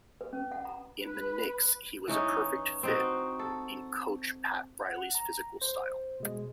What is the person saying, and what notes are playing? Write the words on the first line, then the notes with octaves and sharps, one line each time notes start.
In the Knicks he was a perfect fit in coach Pat Riley's physical style.
B4
C#4
F#5
A#5
B4
E3 C#4 D#4
C4 D#4 F#4
A4
F#5
A#5
C5
B2 G#3